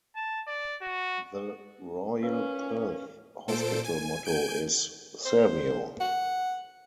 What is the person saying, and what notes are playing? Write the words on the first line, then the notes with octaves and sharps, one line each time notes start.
The Royal Perth Hospital motto is "Servio".
A5
D5
F#4
C#4 A#4 B4 F5
A#2 A4 C5 D7
G#5
G#5 G6 D7
C5
F#5